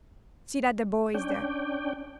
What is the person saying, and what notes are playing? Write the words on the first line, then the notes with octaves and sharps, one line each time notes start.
See that the boy is there.
C#4 D4 G5